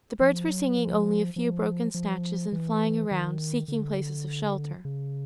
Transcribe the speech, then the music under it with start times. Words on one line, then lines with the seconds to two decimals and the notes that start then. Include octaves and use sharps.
The birds were singing only a few broken snatches, and flying around, seeking places of shelter.
0.21 F3
0.49 F#3
0.78 F3
1.36 F3
1.94 F3
2.52 E3
3.11 D#3
3.68 D3
4.85 C#3